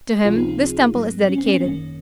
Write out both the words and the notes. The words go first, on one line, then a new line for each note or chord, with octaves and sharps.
To him this temple is dedicated.
C#2 C3 F3 C4 F4 G#4
C4 D#4
C4
G#2 F#3 A#3
C#4
C4
C#4
C4
G#1 F#2 D#3 A#3 C#4